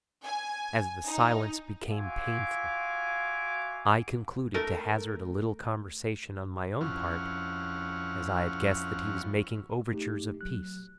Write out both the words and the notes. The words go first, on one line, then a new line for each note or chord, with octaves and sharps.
As the silence became painful I concluded to hazard a little conversation on my own part, as I had guessed that he was making overtures of peace.
G#5
D#4
F4 F#4 E5 F5 G#5 D6
A3 A#4
F2 F3 C#4 E4 F#5 F6
A3 D#4 G4
F#3 F#6